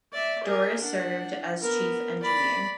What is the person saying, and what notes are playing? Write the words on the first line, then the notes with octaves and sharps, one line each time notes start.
Dorris served as chief engineer.
D5 E5
G#4 A#4
D4 F#5
B3 A#4
D5 B5